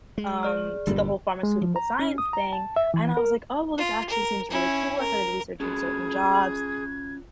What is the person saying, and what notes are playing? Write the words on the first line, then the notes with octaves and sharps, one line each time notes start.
um, to the whole pharmaceutical science thing, and I was like, "Oh, well, this actually seems really cool," I started researching certain jobs,
G#3
G#4 D5 F6
G1 G2 A#2 G3 G4
G#3
F3
A#5
C#4
D#6
A#5
A5
E5
E3
A#4
F4
A#4
C#4 E4
A#4
C#4 F4 F#4 G#4 G#6